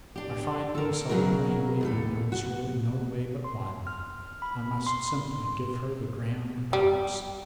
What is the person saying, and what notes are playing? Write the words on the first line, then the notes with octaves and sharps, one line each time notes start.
I finally saw plainly that there was really no way but one--I must simply give her the grand bounce.
D4 G4
A4 A#4
C#3 F#3 C4 F#4 G#4 A#4
D#2 A2 A4
F#4
C6
F6
B5
C6
G3